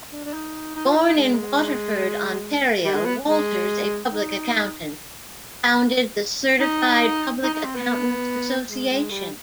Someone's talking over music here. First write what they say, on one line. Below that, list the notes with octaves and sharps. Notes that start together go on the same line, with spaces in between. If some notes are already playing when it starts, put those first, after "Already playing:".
Born in Waterford, Ontario, Walters, a public accountant, founded the Certified Public Accountants' Association.
D4
D4
D#4
D#4
F4
D#4
D#4
G#3
G3
G#3
B3
G#3
D#4
D#4
D#4
D#4
C4
B3
G#3
G#3
G3